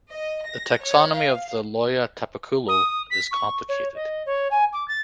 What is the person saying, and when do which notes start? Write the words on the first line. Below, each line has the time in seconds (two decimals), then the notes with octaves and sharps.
The taxonomy of the Loja tapaculo is complicated.
0.11 D#5
0.43 A#6
0.81 C#5
1.13 F5
2.68 D#6
3.10 B6
3.31 C#6
3.68 C#5
3.95 D#5
4.26 C#5
4.51 G#5
4.73 D6
4.88 A6